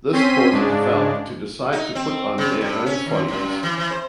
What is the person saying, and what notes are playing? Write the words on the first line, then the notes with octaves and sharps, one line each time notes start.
This causes Val to decide to put on their own follies.
C4 C#4 C6 B6 D#7
G#2 C#3 G#3 D4
D#4
C4
C#3
G2
C#4
D#2
F#2
E3
E3
C5